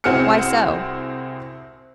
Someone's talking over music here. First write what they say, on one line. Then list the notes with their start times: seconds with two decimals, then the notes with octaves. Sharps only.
"Why so?"
0.04 C2 C4 F#4 G#4 F6 C#7